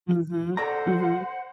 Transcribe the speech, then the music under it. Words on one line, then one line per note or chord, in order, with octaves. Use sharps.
Mhm. Mhm.
A4 C5 D5 F#5 A#5